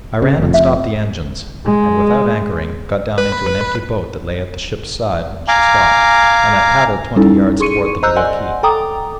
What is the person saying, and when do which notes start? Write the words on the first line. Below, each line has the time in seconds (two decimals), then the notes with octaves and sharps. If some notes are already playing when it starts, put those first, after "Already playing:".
I ran and stopped the engines, and, without anchoring, got down into an empty boat that lay at the ship's side when she stopped; and I paddled twenty yards toward the little quay.
0.22 C#3
0.38 F1 F2
0.54 E5
1.66 G#3
3.18 B4
5.48 F5 G#5 A#5 D6
7.16 G3 C#4 D#4 E4 A4
7.60 G#4 C6 C#6 C#7 D#7
8.03 C5 D#5 A#5 E6 F#6 G6
8.16 D5 D#5 F#5 G#5 C6
8.63 A4 G5 A#5 D6 D#6